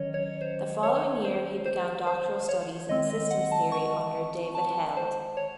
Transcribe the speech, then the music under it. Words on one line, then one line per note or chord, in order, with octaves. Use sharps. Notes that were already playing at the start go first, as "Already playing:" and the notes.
The following year he began doctoral studies in Systems theory under David Held.
Already playing: D#3 F#3 C#4 C#5 D#5
C#5
C5
C#5
C5
C5
C5
C#5
D#3 G#3 C4 D#5
D#5
F#5
A5
C#6
A5
C5
C#5